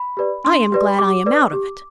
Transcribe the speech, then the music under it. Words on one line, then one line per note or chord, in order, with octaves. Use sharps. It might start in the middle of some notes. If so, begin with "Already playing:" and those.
I am glad I am out of it.
Already playing: B5
G4 B4 D5
D4 C6
G4 B4 D5
G4 D6
B4 D5
G4